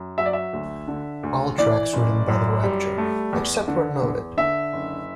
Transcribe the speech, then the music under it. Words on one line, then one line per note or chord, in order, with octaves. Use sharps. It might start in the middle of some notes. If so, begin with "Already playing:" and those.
All tracks written by The Rapture, except where noted.
Already playing: F#2
F#3 E5
D5
E5
D2
D3
D2
E3 D5
F#1
F#2
G3
A3
E2
D3
E2
D3 E5
F#1